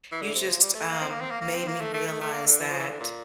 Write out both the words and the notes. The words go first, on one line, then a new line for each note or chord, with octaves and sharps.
you just, um, made me realize that,
E3
D3
C3
F3
G3
A3
A#3
C4
A#3
C4
A#3
A#3
C4
A#3
A3
A3
A3
A3
A#3
D3
E3
F3
E3
D3
A#2